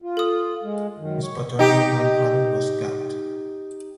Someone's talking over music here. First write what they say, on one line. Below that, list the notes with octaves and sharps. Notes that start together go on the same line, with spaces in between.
His paternal grandfather was Capt.
F4
A4 D#6
G#3
F#2 D#3
C#5
D#4 G4